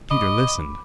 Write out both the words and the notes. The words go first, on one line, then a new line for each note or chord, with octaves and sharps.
Peter listened.
D#5 B5 D6